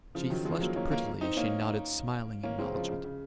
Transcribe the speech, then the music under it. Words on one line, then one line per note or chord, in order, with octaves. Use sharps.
She flushed prettily as she nodded smiling acknowledgement.
C#3 F3
D#3 F#3
F3 G#3
F#3 A#3
A#3 C#4
A#3 C#4
C4 D#4
A#3 C#4
A#3 C#4
G#3 C4
C#3 F3
C#3
C#3